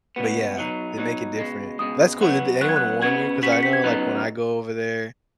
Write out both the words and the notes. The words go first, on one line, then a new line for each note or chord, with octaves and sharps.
but, yeah, they make it different. That's cool. Did anyone warn you? 'Cause I know, like, when I go over there,
C#2 B2 B3
B2 F#3 D#4
B2 F#3 D#4
C#2 B2 G#3
C#2 B2 G#3 D#6
F#2 F#3 B3 F#4
F#2 F#3 B3 F#4 F#6
G#6
F#6
C#3 B3 F#4 G#6
C#3 B3 F#4 B6
C#7
B6
G#6
C#3 F#3 B3 D#4